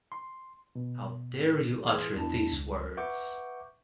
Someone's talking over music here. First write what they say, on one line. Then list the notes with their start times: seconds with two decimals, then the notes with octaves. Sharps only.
How dare you utter these words?
0.12 C6
0.75 B2
1.34 A2
1.85 E3 G#4 C6 D#6 F6 G#6
2.15 E2 D4 E4 A5
2.52 C#2
2.97 B4 E5 F#5 C#6 D6 G6